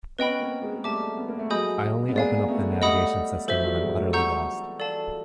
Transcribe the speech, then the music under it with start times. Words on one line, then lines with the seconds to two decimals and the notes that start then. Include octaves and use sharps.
I only open up the navigation system when I'm utterly lost.
0.19 B3 C#4 B4 D#5 G5 B5
0.40 A#3 C4
0.62 G#3 A#3
0.76 G#3
0.84 G3 A3 E5 A5 D6
1.18 B3
1.28 A#3
1.39 A3
1.50 F#3 G#3 D#5 G#5 B5 D#6 G6
2.09 B3
2.15 G#3 A#3 D5 F5 G#5
2.48 A3 B3
2.81 G3 A3 D#5 F#5 B5 D#6
3.48 E3 F#3 A4 C5 E5
3.64 F3 G3
3.80 F#3 G#3
3.96 G3 A3
4.13 F#5 A#5 C#6 E6 G6
4.80 A4 D5 F5 A5